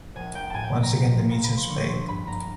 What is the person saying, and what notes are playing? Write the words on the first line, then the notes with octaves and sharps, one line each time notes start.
Once again the missions failed.
A#1 G#5
A#3 G5
A2 G#5 A5
G5
A2
A#5
F3
F3
A#3 A#5
B5
F3
C6
D3 C#6
G3 C6
G2 B5
G2 A#5